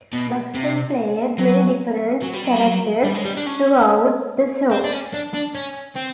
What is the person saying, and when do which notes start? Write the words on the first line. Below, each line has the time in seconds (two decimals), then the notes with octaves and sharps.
Buxton played many different characters throughout the show.
0.13 B2
0.55 C3
1.38 F#3
2.22 F#3
2.33 G3
2.44 F#3
2.56 G3
2.67 F#3
3.05 G3
3.15 G#3
3.25 G3
3.37 D4
3.46 C#4
4.71 C4
4.84 D4
4.93 C#4
5.14 D4
5.34 D4
5.55 C#4
5.96 C4